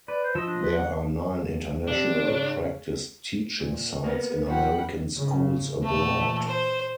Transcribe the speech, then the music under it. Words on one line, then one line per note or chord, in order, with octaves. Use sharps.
There are nine international practice teaching sites in American schools abroad.
B4 D5
C5
F3 D#5 E6
D4
B4
F#5
C3 D4
G#2 C#3 C#4
A#2
A#3 B3 A#4
B2 F3 F#5 G5 B5
G#2 C#3
A#2 E3 A3
C5